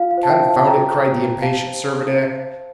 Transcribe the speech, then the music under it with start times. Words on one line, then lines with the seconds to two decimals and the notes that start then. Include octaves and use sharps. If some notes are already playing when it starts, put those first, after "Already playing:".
"Confound it!" cried the impatient Servadac.
Already playing: F4 F5
0.11 F5
0.18 C5
0.23 A5
0.29 E5 G5
0.41 C5
0.48 F5 A5
0.59 A5
0.67 F4 G5 A#5
0.91 C5
1.17 C5
1.42 G4 F5 A5
1.67 C5
1.91 C5
2.16 C5